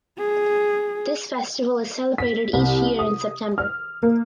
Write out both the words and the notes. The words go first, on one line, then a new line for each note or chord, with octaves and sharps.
This festival is celebrated each year in September.
G#4
B6
C2
D#6
F6
A#3